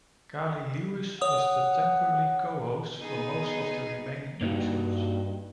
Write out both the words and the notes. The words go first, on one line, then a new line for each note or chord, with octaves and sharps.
Cali Lewis was the temporary co-host for most of the remaining episodes.
C#5 F#5 D#6
B3 D#4 G#4
G2 A#3 D#4 F#4